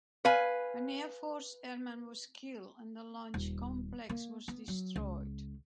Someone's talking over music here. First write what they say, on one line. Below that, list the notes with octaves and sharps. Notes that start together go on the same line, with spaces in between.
An Air Force airman was killed and the launch complex was destroyed.
B4 F5 G#5
D#1
A#3
B3
F#3
C#2